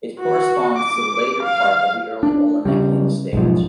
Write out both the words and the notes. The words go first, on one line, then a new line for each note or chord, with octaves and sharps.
It corresponds to the later part of the early Olenekian stage.
F#4
D6
F5
D4
C#3 G3
B1 G#2 F3